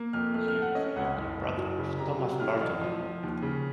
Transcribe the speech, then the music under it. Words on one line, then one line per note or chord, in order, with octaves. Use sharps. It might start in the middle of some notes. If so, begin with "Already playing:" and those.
He was a younger brother of Thomas Bartholin.
Already playing: A#3
F2 F6
A3 F6
F6
A3
F#5
C#4 D#5
C#2 F#5
F#1
F#1
F#3
C#3
C3 A#5
F#3
A2 F6
A1 F6
F3
F3
D#2
C#3